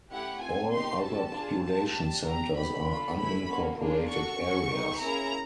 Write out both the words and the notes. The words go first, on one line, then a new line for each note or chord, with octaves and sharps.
All other population centers are unincorporated areas.
A3 C#4 E4 G4 F#5
C4 F4 A4 G#5
C4 D#4 G4 C6
C#4 F#4 A4 A5
D4 F4 G#4
C4 F4 G#4 A5
D4 G4
D4 G4 A#5
B3 D#4 G4 B5
D4 F4 A4
A3 C#4 E4 B5
A#3 C#4 F#4 A4
A#3 D4 F4 G#4
D4 F#4 A4 C#6
C#4 F#4 A4
B3 D#4 G#4
A#3 C#4 E4 G#4 A#5